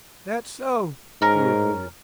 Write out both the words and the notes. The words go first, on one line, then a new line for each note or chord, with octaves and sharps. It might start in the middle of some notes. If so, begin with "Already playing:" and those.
"That's so," he admitted.
G#2 C#4 A#4